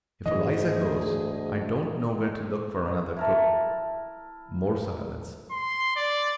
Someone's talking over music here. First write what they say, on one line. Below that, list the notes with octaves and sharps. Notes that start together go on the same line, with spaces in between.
"If Eliza goes, I don't know where to look for another cook." More silence.
D2 G#2 E3 G#4 D#5
E4 A#4 A5
C6
D5